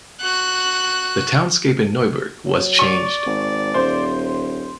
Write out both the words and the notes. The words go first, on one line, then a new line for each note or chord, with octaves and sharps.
The townscape in Neuburg was changed.
F#4 F#6
F#3
D5 C#6 F7
G#1
D#1 C5